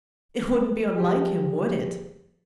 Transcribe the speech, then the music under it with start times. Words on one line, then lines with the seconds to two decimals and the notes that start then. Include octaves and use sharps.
"It wouldn't be unlike him, would it?"
0.96 F3 G4 G#4